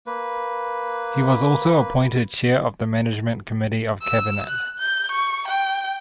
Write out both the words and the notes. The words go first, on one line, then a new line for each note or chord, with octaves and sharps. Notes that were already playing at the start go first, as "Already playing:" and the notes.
He was also appointed Chair of the Management Committee of Cabinet.
A#3 B4
E6
F#6
G6
C#6
G5